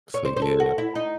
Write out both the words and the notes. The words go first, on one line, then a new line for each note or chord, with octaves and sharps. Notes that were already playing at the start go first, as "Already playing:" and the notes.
So, yeah.
C#5
C5
C5
A4
F#4
E4
D#4